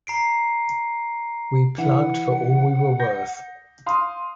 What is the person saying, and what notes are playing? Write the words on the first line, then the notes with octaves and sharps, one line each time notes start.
We plugged for all we were worth.
A#5 C7 D7
E3 F#5
G6 A#6
F5 C6 D#6